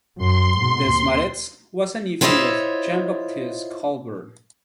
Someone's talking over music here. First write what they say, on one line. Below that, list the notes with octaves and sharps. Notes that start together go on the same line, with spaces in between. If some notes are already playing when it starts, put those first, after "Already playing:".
Desmaretz was a nephew of Jean-Baptiste Colbert.
F#2 C6
G#2 B2
D#2
E4 F4 C5 C#5 D#5 E5